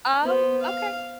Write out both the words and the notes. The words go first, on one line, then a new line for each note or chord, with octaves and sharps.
Oh, okay.
B3 C5
F5